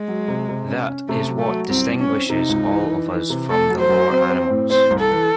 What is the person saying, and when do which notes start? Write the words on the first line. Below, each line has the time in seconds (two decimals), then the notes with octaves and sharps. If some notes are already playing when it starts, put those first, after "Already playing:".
That is what distinguishes all of us from the lower animals.
Already playing: G#3
0.08 F#3
0.28 C3
0.48 C3
0.68 C#4
0.89 C#4
1.08 C3 A3
1.29 F#3
1.39 A3
1.49 F#3
1.69 C2 C4
1.89 C2
1.99 C#4
2.09 C4
2.29 C3 D#4
2.49 C#2
2.70 E3
2.89 E3
3.10 E3
3.30 C3
3.50 A3 A4
3.70 F#3
3.80 C5
3.90 F#3
4.10 C4
4.30 C4
4.50 A2
4.70 C4 C5
4.90 C2
5.00 A4
5.10 E3